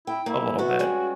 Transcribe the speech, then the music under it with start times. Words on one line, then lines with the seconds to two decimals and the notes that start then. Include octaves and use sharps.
a little bit,
0.07 E4 G5
0.26 A#3 E4
0.59 B3 E4 F#4
0.79 G3 G#3 C#4